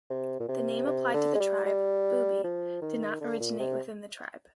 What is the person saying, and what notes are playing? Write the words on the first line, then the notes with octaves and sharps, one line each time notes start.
The name applied to the tribe, "Bubi", did not originate from within the tribe.
C3
A#2
C3
C3
D3
G#3
G3
G3
F3
D#3
D3
A#2
C3